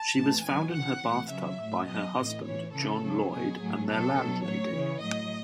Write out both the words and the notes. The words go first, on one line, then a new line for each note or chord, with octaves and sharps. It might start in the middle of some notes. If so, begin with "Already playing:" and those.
She was found in her bathtub by her husband, John Lloyd, and their landlady.
Already playing: A5
A2 E3
B2 F#3 G#5
C#3 E3 F#5
A2 E3
C#3 F#3 E5
A2 F#3
B2 F#3 D#5
A2 E3
A2 E3 C#5
C#3 E3 A4
C#3 F#3
B2 F#3 G#4
A2 F#3
B2 F#3 A4
B2 F#3
A2 F#3 C#5
C#3 E3
A2 F#3 D#5